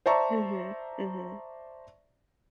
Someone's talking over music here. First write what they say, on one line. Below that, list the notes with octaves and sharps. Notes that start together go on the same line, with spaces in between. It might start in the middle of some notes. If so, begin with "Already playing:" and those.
Mhm, mhm.
C5 D5 E5 A5 A#5 C#6